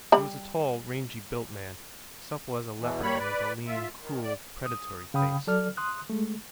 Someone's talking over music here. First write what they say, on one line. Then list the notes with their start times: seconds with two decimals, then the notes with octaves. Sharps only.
He was a tall, rangy-built man, supple as a leopard and with a lean, cruel, predatory face.
0.12 G3 B5
2.80 E2 B2 E3
3.03 G3 A#3 C#5 B5
3.19 B4 D5
3.67 F4 E5
4.01 D#3
4.23 D5
4.66 D#6
5.14 C#3 F5 G5 B5 D#6
5.47 F#3 A4 D5 F6
5.77 C6 D#6 F#6
6.10 G#3 A3